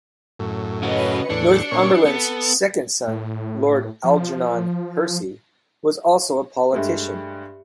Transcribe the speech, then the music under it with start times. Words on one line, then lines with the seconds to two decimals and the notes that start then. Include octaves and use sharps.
Northumberland's second son Lord Algernon Percy was also a politician.
0.39 F#2 A2
0.83 C#3 F#4 B4 C#5 D#5
1.30 E2 A2 D4 C#7
1.72 A#2 C#4 C#5
2.05 B3 A4
3.08 A2
4.04 F3
6.73 G2 G#3 A3 G4 E5